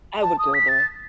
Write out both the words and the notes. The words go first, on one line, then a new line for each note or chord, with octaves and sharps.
I would go there.
A5
D#6
B6
A6